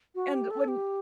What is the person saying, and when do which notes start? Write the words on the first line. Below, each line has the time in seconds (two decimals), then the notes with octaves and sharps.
And when
0.15 F#4
0.33 G4
0.50 A4
0.68 G4